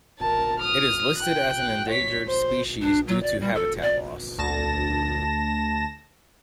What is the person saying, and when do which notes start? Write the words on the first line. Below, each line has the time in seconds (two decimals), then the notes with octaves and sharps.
It is listed as an endangered species due to habitat loss.
0.19 A#4 A5
0.59 D#6 F6
1.19 G5 F#6
1.89 C#5 B6
2.28 C5
2.81 D4
3.08 F#3
3.23 D5
3.40 G3
3.55 A4
3.82 D5
4.38 D2 A5 A#6 E7